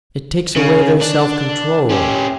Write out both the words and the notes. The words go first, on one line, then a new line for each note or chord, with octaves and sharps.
It takes away their self-control.
C#3
D4
C#4 G4